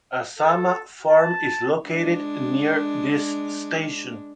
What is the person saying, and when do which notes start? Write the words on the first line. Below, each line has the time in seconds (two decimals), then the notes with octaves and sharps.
Asama Farm is located near this station.
0.39 A4
1.09 A5
1.86 G#3 D4